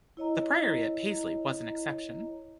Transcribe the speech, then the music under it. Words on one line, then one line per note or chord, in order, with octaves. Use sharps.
The priory at Paisley was an exception.
E4 C#5 D#5 A#5